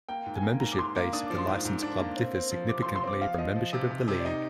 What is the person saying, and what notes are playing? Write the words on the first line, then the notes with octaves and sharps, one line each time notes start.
The membership base of the licensed clubs differs significantly from membership of the League.
A#3 G5
G#2
G#5
A#3
G#2 A#5
D6
G#2 C6
A#3 D6
D4 D#6
F3 D6
C6
G#2
G#2
D4
A#3
C4
C4
F3
C3 D6
F3 C6
C6
C4 D6
F3 F5
F3 D#5
F3
C3
C3
C3
D5
D#4 D#5